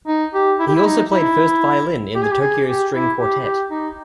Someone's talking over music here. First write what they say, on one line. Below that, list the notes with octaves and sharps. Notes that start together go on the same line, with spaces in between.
He also played first violin in the Tokyo String Quartet.
D#4
G4
E4
G4
E4
D#4
E4
G4
G#4
G4
G#4
G4
E4
G4
G4
D#4